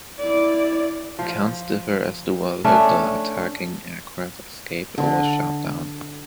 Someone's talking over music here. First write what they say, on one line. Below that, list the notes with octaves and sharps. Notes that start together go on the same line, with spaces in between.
Accounts differ as to whether the attacking aircraft escaped or was shot down.
E4 D5
F3
A3 C#4 D4
D3